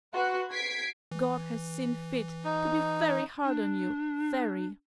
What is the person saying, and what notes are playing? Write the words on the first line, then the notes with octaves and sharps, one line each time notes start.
God has seen fit to be very hard on you, very.'
F#4 B4 C6 F#6
G#6 B6 C7 D7
E3
D#4
D4